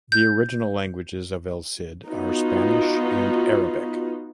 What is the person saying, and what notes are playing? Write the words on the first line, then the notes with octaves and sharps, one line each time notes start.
The original languages of "El Cid" are Spanish and Arabic.
G6
B3 D#4 F4 F#4